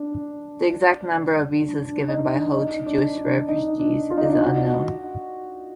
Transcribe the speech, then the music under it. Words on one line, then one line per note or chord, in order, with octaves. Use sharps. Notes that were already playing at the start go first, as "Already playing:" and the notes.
The exact number of visas given by Ho to Jewish refugees is unknown.
Already playing: D4
D4
D4
D#4
D4
D#4
D4
D4
D#4
D4
F4
D#4
D4
D#4
F#4